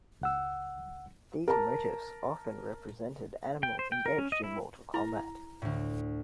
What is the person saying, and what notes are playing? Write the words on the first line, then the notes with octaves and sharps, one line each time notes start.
These motifs often represented animals engaged in mortal combat.
C#2 F#5 E6
A#4 A5 A#5
G5
C5
G5
A#4
C#4
D#5
E4
E4 A#4 A#5
D2 A2